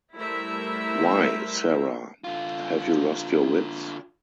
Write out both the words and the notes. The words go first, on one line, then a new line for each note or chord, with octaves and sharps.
Why, Sara, have you lost your wits?
G3 A3 E4 A#4 C5 E5
D3 F4